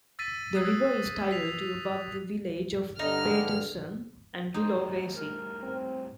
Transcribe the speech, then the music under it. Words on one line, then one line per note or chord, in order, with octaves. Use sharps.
The river is tidal to above the village of Paterson and below Vacy.
E6 A6 B6 D#7
D#6 E6 F#6 G#6 C7 D#7
B6 C7 F7
G2 D3 D#4 F6
A2 G3 D#4 C5
A#4
C4